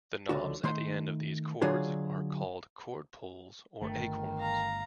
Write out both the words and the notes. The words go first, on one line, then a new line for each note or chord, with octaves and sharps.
The knobs at the end of these cords are called cord pulls or "acorns".
C#2 D3 F#4
D#3 A3 C6
D3 F#3 D4 F4 G#4
G1 D#3 A3
F5 A#5